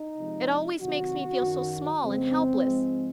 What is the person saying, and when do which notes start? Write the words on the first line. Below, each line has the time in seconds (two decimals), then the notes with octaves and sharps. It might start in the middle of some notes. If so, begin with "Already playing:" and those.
"It always makes me feel so small and helpless."
Already playing: D#4
0.18 C3 F3 G#3
0.79 C3 D#3 F#3 F#4
1.40 F#2 D#3 F#3
2.02 F2 C#3 G#3 C4
2.64 G#2 F3 G#3